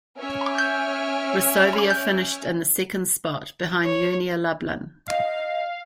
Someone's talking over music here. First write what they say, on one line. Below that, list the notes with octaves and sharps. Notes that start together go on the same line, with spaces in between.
Resovia finished in the second spot, behind Unia Lublin.
C#4 C#5 E5 G#5 F6 D7
C#5
D#5 F5